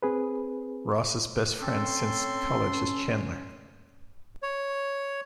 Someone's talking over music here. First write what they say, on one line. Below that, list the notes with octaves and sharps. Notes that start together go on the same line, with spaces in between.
Ross's best friend since college is Chandler.
C4 G#4 B4
C4 C#4 A4 C6
C#5